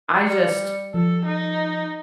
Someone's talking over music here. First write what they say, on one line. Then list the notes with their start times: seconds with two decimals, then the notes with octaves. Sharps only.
I just
0.21 G3 C#7
0.94 F3 A4
1.25 D#4